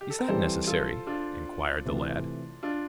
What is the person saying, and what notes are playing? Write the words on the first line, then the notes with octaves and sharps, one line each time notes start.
"Is that necessary?" inquired the lad.
G4
A4
A#4
E3 G3 C4 G4 A4 C5
F4 A4
D4 F4
C3 E3 A3
D4 F4